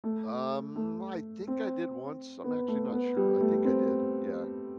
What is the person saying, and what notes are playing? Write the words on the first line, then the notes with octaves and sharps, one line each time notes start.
Um, I think I did once, I'm actually not sure. I think I did, yeah.
A3
A3
C4
B3
A3
B3
G3
A3
C4